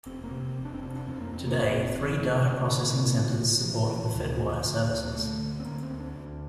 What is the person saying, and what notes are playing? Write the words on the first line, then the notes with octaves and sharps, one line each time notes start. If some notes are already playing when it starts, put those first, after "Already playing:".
Today, three data processing centers support the Fedwire services.
F1 C4
A#3
C3
C4
F1
D4
C4
C3 D4
D4
F2 C4
A#3
F2 C4
A#3
F1 C4
F1
D3
A1
D3 A#3
D3
D3
A1
A1 F3
A1 E3
D2 F3
D3
D3
D2
A#3
D2 A3
D3
C4
D3 A#3
C4
D2
D4
D2